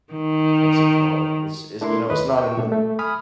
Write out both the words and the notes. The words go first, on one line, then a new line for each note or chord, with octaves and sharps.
What's it called? It's it's, you know, it's not eno
D#3
A3 D4 E4 A#4 C6
D#2 B4 D#5
G5 C#6
A#2 A3 D4
A3
G#5 B5 D#6 F6